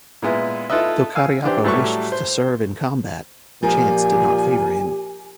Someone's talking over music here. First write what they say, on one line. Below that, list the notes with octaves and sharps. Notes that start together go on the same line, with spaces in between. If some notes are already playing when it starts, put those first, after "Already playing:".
Though Cariappa wished to serve in combat, chance did not favour him.
A#2 G#3 B3 E4
E4 F4 A4 B4 D#5 E5
F5 G#5 E6
E3 D4 G4 C5
A2 F#3 G3 A4 B4 C#6
C5
A#2 F3 G4 A#4 G#5